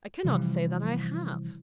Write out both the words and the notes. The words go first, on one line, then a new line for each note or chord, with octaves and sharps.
I cannot say that I have.
C3 E3 F3 G3